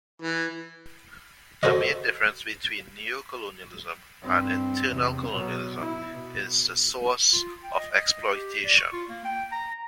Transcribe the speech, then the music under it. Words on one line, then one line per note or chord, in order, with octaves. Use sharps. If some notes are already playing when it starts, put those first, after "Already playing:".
The main difference between neocolonialism and internal colonialism is the source of exploitation.
E3
F#4 A4 C5 C#5 D#5
G2 C4
E2 C3
B2 F#3
E4
B2
F4
G5
D#5
D#5
G4
D5
C#6
F4
A#3
G5
A#5
A#5